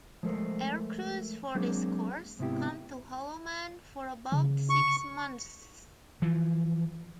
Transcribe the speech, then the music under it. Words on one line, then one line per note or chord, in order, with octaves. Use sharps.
Aircrews for this course come to Holloman for about six months.
F3 G#3 A3 A#4 C5
F#3 G#3 A#3 C4 D4 G#4
G#2 C3 B3 E4 G4
C#3
C#6
E3 F3